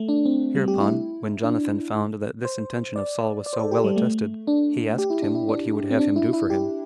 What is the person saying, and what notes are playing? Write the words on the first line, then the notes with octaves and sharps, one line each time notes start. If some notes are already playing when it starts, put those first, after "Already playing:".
Hereupon, when Jonathan found that this intention of Saul was so well attested, he asked him what he would have him do for him.
Already playing: A3
D4
C4
G3
G4
E4
D4
C5
D5
D5
C5
A4
G4
G3
A3
D4
G4
E4
D4
E4
D4
C4
D4
E4
E4
G4